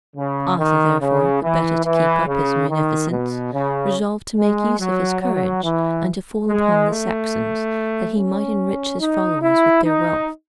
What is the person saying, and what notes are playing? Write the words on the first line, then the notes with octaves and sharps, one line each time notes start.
Arthur, therefore, the better to keep up his munificence, resolved to make use of his courage, and to fall upon the Saxons, that he might enrich his followers with their wealth.
C#3
D#3
C#3
E3
E3
C#3
D#3
B2
C#3
G#3
F#3
F#3
E3
G#3
A3
C#4
D#4
E4
D#4